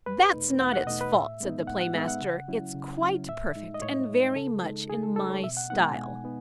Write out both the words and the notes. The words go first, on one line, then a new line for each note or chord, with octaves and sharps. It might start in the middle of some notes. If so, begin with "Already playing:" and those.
"That's not its fault," said the Play-master: "it's quite perfect, and very much in my style."
E2 B4
B2 A3 D#4
E2 F#5
F#5
B2 A3 D#4 D#5
B4
A2 E5
G#3 B3 D#4
A2 F#5
F#5
G#3 B3 D#4 E5
F#5
C#3
F#3 C#4 E4
C#3
F#3 C#4 E4
A2 E5
G#3 D#4
D#5
A2 C#5
G#3 D#4
C#3 A4
G#3 D#4
C#3 G#4
A4
G#3 D#4 A4
C#5
B2 E5
F#5
G#3 B3 D#4 F#5
G#5
B2
B3 D#4